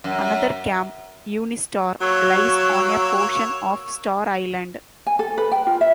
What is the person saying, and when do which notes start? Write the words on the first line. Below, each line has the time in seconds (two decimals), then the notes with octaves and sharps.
Another camp, UniStar, lies on a portion of Star Island.
0.04 F#2
2.01 F#3 A#3 C#5 E6
5.06 G#5
5.19 A4
5.38 B4
5.51 G5
5.67 F4
5.81 E5